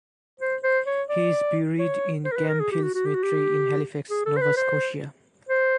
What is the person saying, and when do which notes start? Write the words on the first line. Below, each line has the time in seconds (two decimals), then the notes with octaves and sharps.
He is buried in Camp Hill Cemetery in Halifax, Nova Scotia.
0.40 C5
0.63 C5
0.86 C#5
1.09 D5
1.79 C#5
2.25 C5
2.32 A#4
2.36 B4
2.49 A#4
2.60 G#4
2.72 G4
2.83 F#4
2.95 F#4
3.06 G4
3.15 F#4
3.23 G4
4.10 G#4
4.26 A4
4.37 C5
4.41 B4
4.57 C5
5.49 C5